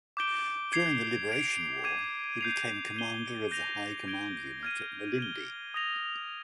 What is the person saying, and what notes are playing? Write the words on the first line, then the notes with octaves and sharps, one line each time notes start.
During the liberation war, he became Commander of the High Command Unit at Mulindi.
D6 G6 D7 G7
G#6 C7 F7
G#6 D7 F7
D6 G#6 C7 D#7
G6 C7 F7
G6 C7 D#7 G7
G6 A#6 F7
G#6 D7 G7
F6 G#6 D#7
G#6 D#7 G7
D#6 A#6 F7